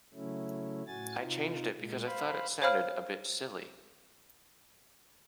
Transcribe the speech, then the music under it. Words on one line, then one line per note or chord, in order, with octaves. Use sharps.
I changed it because I thought it sounded a bit silly.
C#3 F#3 A3 C#4 E4
A2 F#4 G#5 A6
C3 D#4 F4
A#2 G#3
C5 F5 B5
C5 C#5 F5 B5 F6